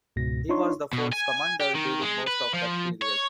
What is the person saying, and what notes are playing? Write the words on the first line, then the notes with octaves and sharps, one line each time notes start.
He was the fort's commander during most of that period.
C#2 G#2 B2 A#6
D4 D#4 F4 C#5 C6 C#6
B2
G#5
G4
D#3
G#3
B4
F3
C#5